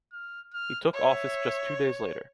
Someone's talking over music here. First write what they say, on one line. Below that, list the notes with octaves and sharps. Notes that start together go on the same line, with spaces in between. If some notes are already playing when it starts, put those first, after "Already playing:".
He took office just two days later.
F6
F6
C#5 E5